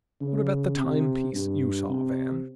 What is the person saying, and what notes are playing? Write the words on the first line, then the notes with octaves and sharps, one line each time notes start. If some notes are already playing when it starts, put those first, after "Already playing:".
"What about the time-piece you saw, Van?"
C#3
C3
G2
C3